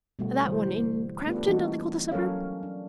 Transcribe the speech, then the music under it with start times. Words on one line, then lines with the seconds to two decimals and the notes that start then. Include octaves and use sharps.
That one,--in Crampton, don't they call the suburb?
0.19 B2 G3 A3 F#4
0.45 D3 E3 G3 C5
1.27 A3 B3 D4 F4 G4 B4
1.47 E3 G3 A#3 C#4 D#4 F#4
2.12 F#3 C#4 A4 A#4 C#5 F5
2.63 D4